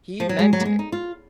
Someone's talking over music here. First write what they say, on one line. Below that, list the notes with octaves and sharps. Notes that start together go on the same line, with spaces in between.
He meant it.
F3
F#3
G#3
F#3
A#3
G#3
D#4
F4